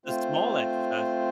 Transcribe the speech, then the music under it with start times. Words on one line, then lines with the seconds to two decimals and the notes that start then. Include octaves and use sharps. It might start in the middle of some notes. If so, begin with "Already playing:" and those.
the small exercise
0.06 A3 C4 F4 C5